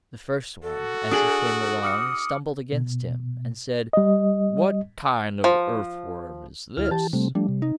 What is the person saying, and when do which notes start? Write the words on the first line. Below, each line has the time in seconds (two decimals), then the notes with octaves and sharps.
The first one, as he came along, stumbled against him, and said: 'What kind of earthworm is this?'
0.63 F#4 A4
1.11 D4 G#4 D#6 D7 F#7
1.83 D6 D#6 F6 C#7
2.73 B2
3.93 G3 D#5
5.44 F3
6.77 D2 E4 F6
6.91 E3 G4 A5
7.13 C3 G3 A3 C4
7.35 F3 G3 A3 D4
7.49 C3
7.62 D#4